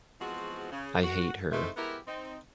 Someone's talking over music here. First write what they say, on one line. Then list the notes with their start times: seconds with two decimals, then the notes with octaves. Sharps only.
I hate her.
0.20 E2 F3 G#3 C4 F#4
0.71 C#3
1.03 F#4
1.52 G#2 C3 A3 D#4 E4 C5
1.76 G#3 B3 E4 G4 A#4
2.07 C4 D#4